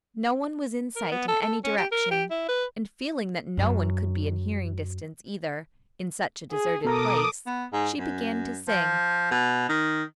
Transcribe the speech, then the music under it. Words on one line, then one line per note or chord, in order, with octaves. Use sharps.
No one was in sight in any direction, and feeling that no one could be in hearing distance, either, in such a deserted place, she began to sing.
A#4
B3
A4
A4
C#4
G4
A#4
G4
E4
B4
F#2
G#4
B2 A4 A#4 A#5 D6 D#6
B3
G#2
F#2
F3
B2
D#3